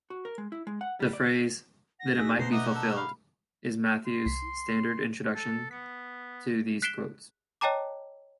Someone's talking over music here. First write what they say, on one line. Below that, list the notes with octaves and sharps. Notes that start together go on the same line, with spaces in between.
The phrase "that it might be fulfilled" is Matthew's standard introduction to these quotes.
F#4
A#4
G#3
E4
G#3
F#5
G3
D5
F#5 A#6
D#4 F#4 G#4 E5 F#6
B2 C5 A#5 C7
D3 D#4 D#5 E5 F#5
A5 E6
F5 B5
C6
C2 B6
A4
B3 B6 C#7
F#6 B6 C7 D7 E7 G7
C#5 D#5 G5 A5 A#5 D6